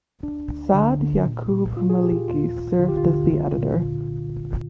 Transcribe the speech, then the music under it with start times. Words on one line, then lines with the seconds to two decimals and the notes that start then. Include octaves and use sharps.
Saad Yaqoub Maliki served as the editor.
0.23 D2 D4
0.48 D2
0.74 D3
1.00 D3
1.26 A#2
1.51 A#2
1.77 A#2 F4
1.90 G#4
2.02 A#2 G4
2.15 F4
2.28 D#2 F4
2.54 D#2
2.79 D3 F4
2.88 G4
2.97 F4
3.05 D3
3.31 C2
3.57 A#2